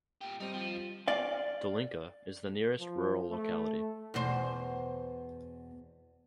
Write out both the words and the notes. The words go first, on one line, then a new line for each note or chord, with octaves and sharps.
Dolinka is the nearest rural locality.
A#2 G4
G3 C4 D#4 D7
F3
D5 F5
F3
A3
E2 B2 C5